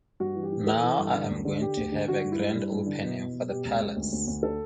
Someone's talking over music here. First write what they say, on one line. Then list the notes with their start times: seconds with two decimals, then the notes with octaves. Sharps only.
'Now I am going to have a grand opening for the palace.
0.20 G2 F#4
0.36 E3
0.43 G4
0.52 E3
0.67 E3 A4
0.83 E3
0.99 G2
1.14 D3
1.30 D2
1.45 D3
1.61 D3 G4
1.77 D2
1.92 D3
2.08 D3 F#4
2.24 G2
2.32 E4
2.39 G2
2.55 G2
2.71 G2
2.86 D3
3.02 B2
3.17 B2
3.33 B2
3.49 B2 G4
3.65 C#2
3.80 C#2
3.96 D2
4.12 D2
4.27 D2
4.43 D3 A4